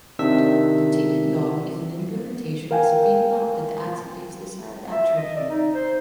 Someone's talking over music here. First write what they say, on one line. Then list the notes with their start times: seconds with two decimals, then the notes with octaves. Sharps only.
The ticket lock is an implementation of spinlock that adds this desired attribute.
0.19 C3 D#3 D4 E5 E6 B6
2.71 A#4 F5 G5 G#5
4.91 E5
5.17 D#5
5.36 D5
5.49 D#4
5.74 C5